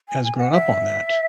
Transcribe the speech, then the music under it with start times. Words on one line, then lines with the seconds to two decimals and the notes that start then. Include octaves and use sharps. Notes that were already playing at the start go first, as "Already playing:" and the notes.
has grown up on that,
0.09 G#5
0.24 G#5
0.38 F#5
0.52 E5